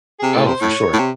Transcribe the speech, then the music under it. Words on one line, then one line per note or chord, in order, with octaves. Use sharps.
Oh, for sure.
C3 G#4
A2 A4
C3 C5
A2 C#5
A2
C3